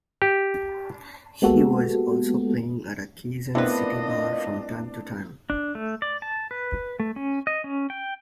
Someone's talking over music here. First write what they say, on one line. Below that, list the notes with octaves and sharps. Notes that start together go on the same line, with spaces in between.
He was also playing at a Quezon City bar from time to time.
G4
G#3 A#3 B3 F#4 G4 A4
A#2 A3 B3 C4 D4 E4 B4 D#5
D4
A3
D5
A5
B4
A3
C#4
D#5
C#4
G5